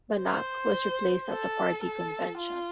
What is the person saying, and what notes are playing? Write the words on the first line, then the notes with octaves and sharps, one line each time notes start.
Banac was replaced at the party convention.
C5
A4
A4
F4